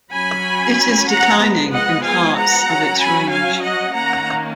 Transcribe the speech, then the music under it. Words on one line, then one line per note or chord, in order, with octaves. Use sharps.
It is declining in parts of its range.
F#3 C#4 G#5 B5
F#5 A#5
F3 G#3 B3
D#5 F#5
F5 G#5
F#5 A#5
F#3 C#4
G#5 B5
F5 G#5
D#5 F#5
D#3 A#3 C#4 F#5 A#5